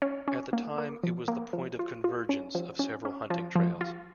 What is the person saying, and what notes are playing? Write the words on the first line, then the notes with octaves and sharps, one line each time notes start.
At the time it was the point of convergence of several hunting trails.
C#4
C#4
A#3
A#3
F3
A#3
F3
F4
F4
C#4
F3
C#4
C#4
F3
F3
F4